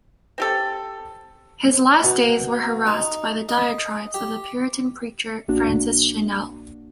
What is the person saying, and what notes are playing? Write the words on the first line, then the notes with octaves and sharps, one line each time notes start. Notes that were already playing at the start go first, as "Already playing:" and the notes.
His last days were harassed by the diatribes of the Puritan preacher, Francis Cheynell.
C4 G4 A4
B2
D#4
D#5
G4
A#1 A#3 D4 F#4